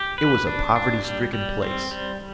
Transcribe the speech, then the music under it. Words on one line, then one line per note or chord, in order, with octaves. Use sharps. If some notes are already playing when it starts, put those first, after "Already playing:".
It was a poverty stricken place.
Already playing: G4
B4
D4
D4
G3
G3
C4
G3